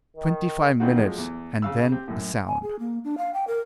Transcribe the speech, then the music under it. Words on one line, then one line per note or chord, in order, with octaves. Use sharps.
Twenty-five minutes, and then a sound.
D#3
A#2 D#3 B3 C4 F4 F#4
F3 F#3 G#3 A3
E2
C#3 F5 E6
C4 G4
F#2 A2
G#5
G#4
A#3
D4
F5
G5
A#4